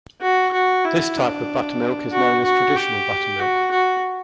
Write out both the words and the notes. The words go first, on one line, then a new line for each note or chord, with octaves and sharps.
This type of buttermilk is known as traditional buttermilk.
F#4
F#4
E4
D4
F#4
F#4
G4
F#4
F#4